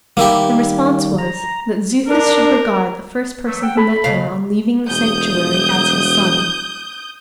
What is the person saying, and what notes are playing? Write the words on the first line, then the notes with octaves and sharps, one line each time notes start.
The response was, that Xuthus should regard the first person who met him on leaving the sanctuary as his son.
D#3 G3 A#3 E4 G4
A#5
D4 A#4
E3 F#3 A3
F#5 G5 E6
A4 B5
D#2 C#3 F5
E1 D#6 G6